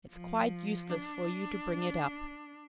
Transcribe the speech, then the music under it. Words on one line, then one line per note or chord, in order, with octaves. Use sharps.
It's quite useless for you to bring it up.
F3
D4